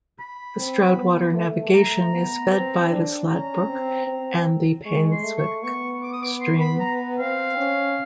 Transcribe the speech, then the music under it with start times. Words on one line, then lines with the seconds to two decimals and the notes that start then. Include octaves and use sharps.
The Stroudwater Navigation is fed by the Slad Brook and the Painswick stream.
0.19 B5
0.57 C4
0.96 B3
1.35 A3
1.74 A3 A#5
2.14 B3
2.53 C4
2.91 D4
3.30 C#4 A#5
3.68 C4
4.07 C4
4.85 G#3 C#6
5.11 C6
5.24 A3
5.37 C#6
5.63 B3 C#6
6.03 D6
6.13 D#6
6.22 D6
6.41 C6
6.60 B5
6.80 A#5
7.19 C4 F5
7.57 C#4